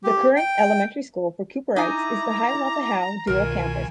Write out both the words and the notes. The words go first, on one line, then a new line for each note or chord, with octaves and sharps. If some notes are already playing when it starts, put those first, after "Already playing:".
The current elementary school for Cooperites is the Hiawatha-Howe dual campus.
G4
G5
D#4 E4 G#5 A#5 D6
C2 B2 D#3 F4 A#4 G#5